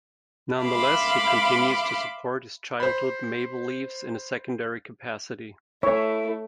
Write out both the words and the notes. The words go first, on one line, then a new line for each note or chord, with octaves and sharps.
Nonetheless, he continues to support his childhood Maple Leafs in a secondary capacity.
E5 F5 B5 C6 D6
C5 B5
A3 E4 C#5